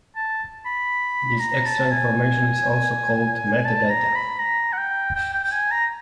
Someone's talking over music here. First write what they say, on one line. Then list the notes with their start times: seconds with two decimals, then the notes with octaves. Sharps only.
This extra information is also called metadata.
0.16 A5
0.66 B5
1.40 A#5
1.66 A5
1.91 G#5
3.65 A5
3.90 A#5
4.16 B5
4.40 A#5
4.73 F#5
4.78 G5
5.15 G5
5.33 G5
5.44 G5
5.52 G#5
5.71 A#5